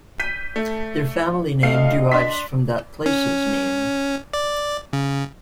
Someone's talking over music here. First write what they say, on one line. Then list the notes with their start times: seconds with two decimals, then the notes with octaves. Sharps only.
Their family name derives from that place's name.
0.20 G6 B6 D#7
0.56 A3
1.63 D2 A3 D#5 F5 C7
2.12 D4 C6 B6
3.06 C#4
4.33 D5
4.93 C#3